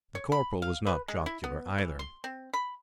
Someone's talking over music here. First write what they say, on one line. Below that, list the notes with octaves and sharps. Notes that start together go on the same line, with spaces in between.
The Corporal was not jocular either.
C#5
B5
F5
B4
G#3
E4
B3
E3
C6
C4
B5